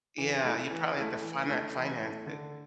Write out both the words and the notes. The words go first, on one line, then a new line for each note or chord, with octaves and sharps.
Yeah, you probably have to finan finance it.
E3
A3 E4
E3
A3 E4
E3
A3 E4
E3
A3 E4
D3